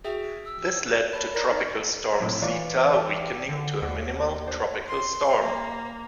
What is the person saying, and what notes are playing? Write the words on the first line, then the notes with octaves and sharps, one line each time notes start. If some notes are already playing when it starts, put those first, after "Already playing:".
This led to Tropical Storm Zeta weakening to a minimal tropical storm.
F#4 G#4 E5 G5
E6
C#5 A5 B5
A#4 D5
D#4
C2 A2 F#3 E4
E3 F4 C#5 D5
G4 A4 D5
D3
D#2 F#4 D5
D4 C5
C6
A#3